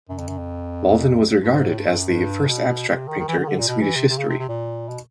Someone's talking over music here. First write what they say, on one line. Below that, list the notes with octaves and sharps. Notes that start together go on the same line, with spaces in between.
Walden was regarded as "the first abstract painter in Swedish history".
F#2
F2
F#2
F2
G2
G#2
A2
G2
G2
F#2
G2
B2
C3
D#3
D#3
E3
D3
D#3
D3
A#2
B2
E3
C3
C3
C#3
C3
C3
A#2
B2